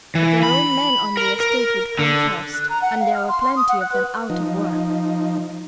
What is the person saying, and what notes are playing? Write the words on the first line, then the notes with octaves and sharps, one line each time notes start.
But their own men on the estate would come first, and there were plenty of them out of work.
E3
B5
A#4
A#4
D3
F#6
A#5
F#5
F5
F6
C6
C6
D#6
F#5
F#6
B4
F3 D#4